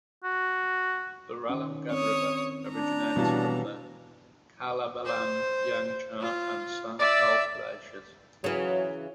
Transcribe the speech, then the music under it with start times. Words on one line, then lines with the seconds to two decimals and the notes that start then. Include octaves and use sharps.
The Ralam Gad River originates from the Kalabaland, Yangchar and Sankalp glaciers.
0.24 F#4
1.49 D#3 C#4
1.91 C4 C#5 D#6
2.70 D4 A#5
3.16 B2 E3 G3 C#5 F5 A5
5.06 C5
6.21 F4
6.99 D5 E5
8.44 C#3 E3 F#3